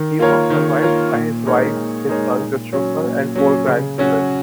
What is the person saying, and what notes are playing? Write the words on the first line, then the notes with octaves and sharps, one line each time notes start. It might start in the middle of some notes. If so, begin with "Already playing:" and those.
He was survived by his wife, his son, Christopher, and four grandchildren.
Already playing: D#3
A#3 F4 A#4 C#5
D#3
A#3 F4 A#4 C#5
A#2
G#3 D#4 A#4 C#5
A#2
G#3 D#4 A#4 C#5
A#2
F#3 C#4
A#2
F#3 C#4
C#3
F#3 C#4 F#4